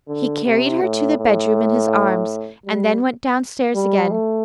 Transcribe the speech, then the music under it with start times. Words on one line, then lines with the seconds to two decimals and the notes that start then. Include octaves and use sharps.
He carried her to the bedroom in his arms and then went downstairs again.
0.08 D3
0.45 C3
0.82 A2
1.18 A2
2.65 G3
3.75 G3
4.11 A3